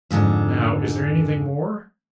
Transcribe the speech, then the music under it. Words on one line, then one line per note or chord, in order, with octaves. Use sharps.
Now, is there anything more?'
F2 G#2 D3 A#5